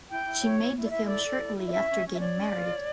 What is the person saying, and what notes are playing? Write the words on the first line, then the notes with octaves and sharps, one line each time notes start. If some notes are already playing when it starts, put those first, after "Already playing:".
She made the film shortly after getting married.
E4 G5
E4
C#5
E4
E4
D5
E4 E5
A4 D5
A4
E4
E4
D5
C#4 E5
C#4
C#4
E5
C#5 D5
C#4
F4
C#5